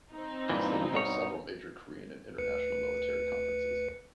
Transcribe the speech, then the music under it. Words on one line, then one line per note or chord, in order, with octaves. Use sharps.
The city hosts several major Korean and international military conferences.
C4 D#4
G2 A#2 E3
G2 B2 C#5
D2 B4 C#7